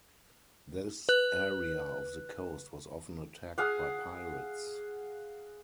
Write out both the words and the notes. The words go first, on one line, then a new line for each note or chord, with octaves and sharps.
This area of the coast was often attacked by pirates.
B4 F#6
G#4 F5 F#5